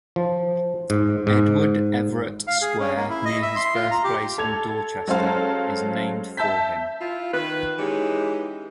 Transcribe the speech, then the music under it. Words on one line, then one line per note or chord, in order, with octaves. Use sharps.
Edward Everett Square, near his birthplace in Dorchester, is named for him.
F3
G#2
G#2
F5
G#4
C#4
A#3
E4
D#5
E5
C6
F4
A#5
G4
A4 G#6 F7
F#3 G#3 C#4 A4 C5 F5
E5 A5 E6 G6 B6
E4 F4
D#3 B4
E3 G#3 C#4 D#4 G4